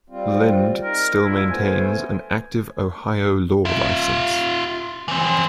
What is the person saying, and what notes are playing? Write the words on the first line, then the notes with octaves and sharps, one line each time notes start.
Lynd still maintains an active Ohio law license.
G3 C4 F4
D#4 A#4
G3 D4 E4 F4
A3 B3 C5 G#5
F4 E5
E3 C4